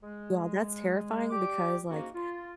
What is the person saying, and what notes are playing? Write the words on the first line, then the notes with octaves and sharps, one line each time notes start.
Yeah, that's terrifying because, like,
G#3
G4 D5 D6
G#2 A#3 C#4 D#4 F#4
F4